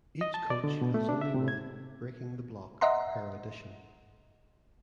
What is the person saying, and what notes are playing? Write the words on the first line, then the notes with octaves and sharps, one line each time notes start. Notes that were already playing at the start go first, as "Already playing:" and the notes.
Each coach has only one "Breaking The Block" per audition.
D#5
A5
D5
D3
B2
A3
D4
E5
C3
G#6
D#5 E5 F#5 A#5 C6